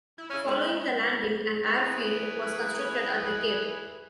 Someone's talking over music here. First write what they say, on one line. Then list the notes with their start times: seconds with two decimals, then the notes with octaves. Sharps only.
Following the landing, an airfield was constructed at the cape.
0.18 E4
0.30 C#3 C#4 E4
0.45 G#3
1.65 E4 G#4 B4